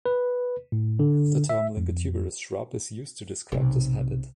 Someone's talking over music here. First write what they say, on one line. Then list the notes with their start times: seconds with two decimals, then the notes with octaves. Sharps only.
The term lignotuberous shrub is used to describe this habit.
0.06 B4
0.72 A2
0.99 D3
1.49 E5
1.77 F2
3.52 B1 C3